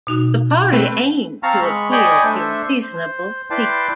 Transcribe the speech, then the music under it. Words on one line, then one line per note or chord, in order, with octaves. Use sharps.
The party aimed to appeal to 'reasonable people'.
B2 D#4 F#4
A3 C4 B4
C4 F5 A5 A#5 C#6 F6
G#3 B5 C#6
D5 D#5 G5 G#5 B5 C#6
A3 D4 A4 C5 E5
C5
E4 B4 D5 G5 A5 C6